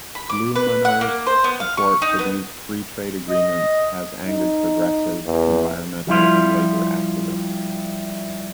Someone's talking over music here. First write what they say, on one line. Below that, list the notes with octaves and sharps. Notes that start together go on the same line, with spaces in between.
Blumenauer's support for these free trade agreements has angered progressives, environmental and labor activists.
B5
D6
B4
F#5
A#3
C5
B3
F5
C#6
D#4
B3
D#5
D#4
E2
F3 G3 E4 F4